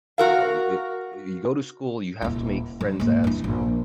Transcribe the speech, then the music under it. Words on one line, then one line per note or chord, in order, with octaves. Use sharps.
you know, it you go to school, you have to make friends at school.
F#4 A#4 F5
D#1 E4
F#3
G#2 A#3
G2 E4
A#1